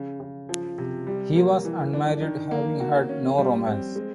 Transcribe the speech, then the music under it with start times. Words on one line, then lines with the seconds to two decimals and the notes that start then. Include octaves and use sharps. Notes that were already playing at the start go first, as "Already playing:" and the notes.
He was unmarried having had no romance.
Already playing: C#3
0.20 C#3
0.49 F3
0.78 C3
1.07 G3
1.36 A#3
1.65 E3
1.93 D4
2.22 D#3
2.51 A#3
2.80 F#4
3.09 C#4
3.38 G3
3.67 C4
3.96 G#3